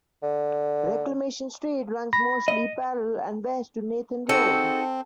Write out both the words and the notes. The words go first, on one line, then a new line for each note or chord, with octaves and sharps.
Reclamation Street runs mostly parallel and west to Nathan Road.
D3
B5 A#6
D#5
C4 D#4 F#4 G#4 A4